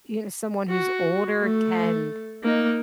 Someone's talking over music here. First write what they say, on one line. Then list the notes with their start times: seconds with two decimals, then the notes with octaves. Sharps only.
you someone who's older can,
0.70 F#4
1.41 A3
2.43 A#3 D#4